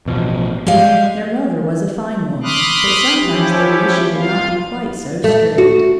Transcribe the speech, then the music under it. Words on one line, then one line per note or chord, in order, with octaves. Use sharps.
Their mother was a fine woman, but sometimes they wished she would not be quite so strict.
A1 B2 F3
G3 G#3 F5
B5 C6 D6 D#6 F6 F#6
F3 C#4 E4 G4
F4 F5
A3
F#4